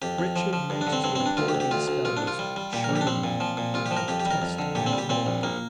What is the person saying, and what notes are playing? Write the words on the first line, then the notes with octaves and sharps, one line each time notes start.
Richard meant to employ these fellows shrewdly and test their loyalty.
F2 G4
F2
F3
F3
G2
D4
D3
C4
G2 C4
C4
G2
D4
D2 F4
G4
D2
G4
D2 F4
D2
C2 F4
D4
C2
F4
G3
G3
A#2 G4
A#1 A#4
G4
D4
A#1 C4
A#2
F3
A#2
C2 F4
G4
F3
A#4
F2 G4
G4
G3
A#4
F2
D3
A#2 G4
C4
G3
G4
A#2 C4
A#1
A#1 A#3